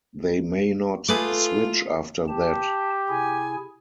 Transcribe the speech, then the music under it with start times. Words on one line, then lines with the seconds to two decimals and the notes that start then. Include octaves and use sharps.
They may not switch after that.
1.09 A3 F4 G#4 B4 D6
2.28 G4 A5
3.08 C3 E4 G#4 G#5